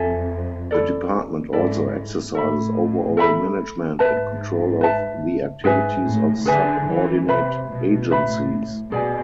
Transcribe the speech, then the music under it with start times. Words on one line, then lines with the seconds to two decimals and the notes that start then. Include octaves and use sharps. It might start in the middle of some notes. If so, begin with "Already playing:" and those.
The department also exercises overall management and control of the activities of subordinate agencies.
Already playing: F2 A4 E5 G#5
0.71 E4 A4 D5
1.53 G#2 E4 A4 D5
2.35 A2 A4 E5 B5
3.17 A4 E5 B5
3.99 G#2 B4 E5 A5
4.81 B4 E5 A5
5.63 G#2 G#4 B4 E5 G#5
6.05 A2
6.46 D3 G#4 B4 E5 G#5
6.87 E3
7.28 C3 B4 E5 B5
7.69 B2
8.11 A2 B4 E5 B5
8.92 B2 G#4 D5 G#5